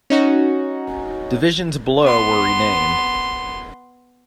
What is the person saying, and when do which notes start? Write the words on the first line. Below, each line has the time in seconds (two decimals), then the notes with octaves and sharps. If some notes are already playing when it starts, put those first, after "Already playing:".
Divisions below were renamed.
0.10 C#4 D#4 F#4
2.03 B3 C6